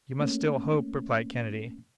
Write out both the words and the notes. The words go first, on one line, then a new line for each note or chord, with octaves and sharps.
"You must still hope," replied Kennedy.
A3 A#3 C#4